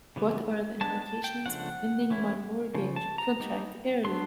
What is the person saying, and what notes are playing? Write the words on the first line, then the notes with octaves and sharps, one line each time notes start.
What are the implications of ending my mortgage contract early?
C#3 E3 G3 B3
G#3 B3 D4 A5
A5
G5
C#3 F3 A3 D4 F#5
E3 A3 C#4 E4
C#3 F3
A5
A#5
G3 A#3 D#4
F#3 B3 D4 C6